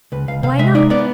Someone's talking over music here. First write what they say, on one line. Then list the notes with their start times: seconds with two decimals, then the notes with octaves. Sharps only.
Why not?
0.12 C#2 B4
0.28 C#2 F5
0.43 C3 F5
0.59 G#3 E5
0.75 D#4 D5
0.90 B3 D5